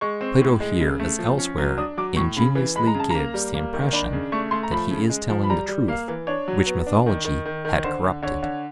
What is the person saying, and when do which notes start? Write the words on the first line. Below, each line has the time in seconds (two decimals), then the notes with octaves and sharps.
Plato here, as elsewhere, ingeniously gives the impression that he is telling the truth which mythology had corrupted.
0.01 G#3 C#6
0.21 C4
0.41 A2
0.60 G#3
0.80 C#3
1.00 A3
1.19 F3
1.38 C#4
1.58 F#3
1.78 D4 D#6
1.97 F#3 D6
2.17 A2 C#6
2.37 C#3 B5
2.55 E3
2.76 G#3 B5
2.87 A#5
2.94 C#3
3.00 A5
3.10 A#3 A#5
3.34 G3
3.54 A#3
3.73 D#3
3.93 D4 B5
4.13 C#3
4.32 A3 C#6
4.51 A3 C6
4.63 A#5
4.71 F3 B5
4.91 C#3
5.10 G#3
5.30 F3
5.43 B5
5.50 G3 A#5
5.68 G3
5.88 A#3 F5
6.08 E3
6.27 D4 C#5
6.48 F#3
6.66 B3
6.87 D4
7.06 D#3
7.25 D#3
7.45 D#3
7.65 D#3
7.84 D3 C5
8.04 D3
8.22 D3 C#5
8.43 D3